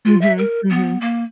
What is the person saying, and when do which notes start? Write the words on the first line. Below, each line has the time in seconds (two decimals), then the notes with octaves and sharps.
Mhm, mhm.
0.06 F4
0.21 E5
0.38 A#4
0.70 B3
1.01 A#3